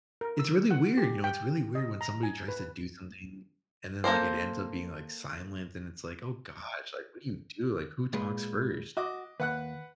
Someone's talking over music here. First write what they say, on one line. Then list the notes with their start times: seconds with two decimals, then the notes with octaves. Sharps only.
it's really weird, you know, it's really weird when somebody tries to do something, and then, like, it ends up being, like, silent. And it's like, "Oh gosh." Like, what do you do? Like, who talks first?
0.21 A#4
0.39 E6
0.71 F#5
0.97 G4
1.24 G5
1.75 D#5
2.01 A#5
2.23 G#5
2.48 B4
4.04 A#3 A4 A#4 C5
8.13 A#2 G#3 B4
8.97 F#4 D#5 D6
9.40 D#2 B4 F#5 F#6